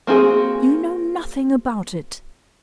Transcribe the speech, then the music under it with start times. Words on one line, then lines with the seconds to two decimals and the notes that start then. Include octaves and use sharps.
You know nothing about it.
0.07 A#3 C4 F#4 G#4